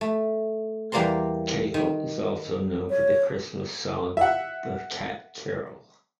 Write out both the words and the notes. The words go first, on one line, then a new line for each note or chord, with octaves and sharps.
Cadell is also known for the Christmas song "The Cat Carol".
A3
E2 G3 A#3 D5 A#5 C6
D#3
C#5
E5 F#5